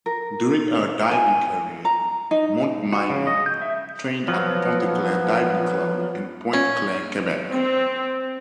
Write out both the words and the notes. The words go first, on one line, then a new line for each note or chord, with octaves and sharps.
During her diving career, Montminy trained at Pointe-Claire Diving Club in Pointe-Claire, Quebec.
A#4
G#5
A#5
D#4
F#4
C#3
D#5
G6
E5
F3 F#3 B3
C#4
C4